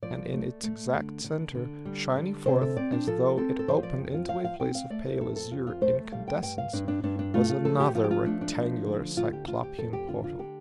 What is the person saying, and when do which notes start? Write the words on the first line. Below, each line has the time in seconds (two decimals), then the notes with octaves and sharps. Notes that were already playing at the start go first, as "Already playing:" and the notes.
And in its exact center, shining forth as though it opened into a place of pale azure incandescence was another rectangular Cyclopean portal.
0.03 F3 D5
0.33 A3
0.63 A3
0.94 D3
1.24 D3
1.55 D3
1.85 G3
2.16 D3
2.46 C3 C5
2.61 A4
2.77 C4 D5
2.92 D4
3.07 F3 A4
3.37 C4 A4
3.59 A4
3.68 F3 C5
3.83 D5
3.99 F2
4.14 F4
4.29 F3 F5
4.44 F5
4.59 C4 G5
4.75 F5
4.90 A3 D5
5.05 C5
5.20 F2 A4
5.36 A4
5.51 F2 F4
5.67 F4
5.81 A3 C5
6.12 G3 F5
6.28 G5
6.42 G2 G5
6.58 F5
6.73 G2 D4
6.88 D4
7.03 G2 D4
7.19 D4
7.34 A3 F4
7.50 F4
7.65 F3 A4
7.80 G4
7.95 F3 F4
8.04 G4
8.11 F4
8.26 A3 D4
8.41 D4
8.56 F3
8.87 D3
9.17 D2 F4
9.33 G4
9.47 D2 F4
9.63 G4
9.78 F2 A4
9.93 G4
10.08 D3 F4
10.24 F4
10.39 D3 G4